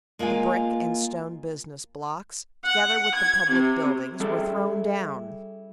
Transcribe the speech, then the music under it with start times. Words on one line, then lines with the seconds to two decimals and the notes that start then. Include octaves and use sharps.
The brick and stone business blocks, together with the public buildings, were thrown down.
0.19 G#3 A#3 F4 F5 G#5
2.65 F#5
3.15 G#6
3.49 C3
4.20 G3 C#4 E4 G#4 A4 G5